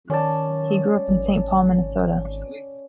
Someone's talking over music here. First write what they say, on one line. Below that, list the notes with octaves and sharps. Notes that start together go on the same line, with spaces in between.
He grew up in Saint Paul, Minnesota.
D#3 C#4 D5 A5
G#1